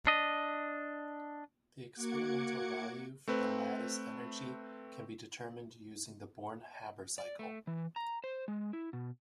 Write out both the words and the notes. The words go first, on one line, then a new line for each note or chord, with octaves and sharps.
The experimental value for the lattice energy can be determined using the Born-Haber cycle.
D4 D#5
A#3 F#4 F#5 D6 G#6 C#7
A3 C4 B4
D5
A3
E3
A#5
C5
G#3
E4
B2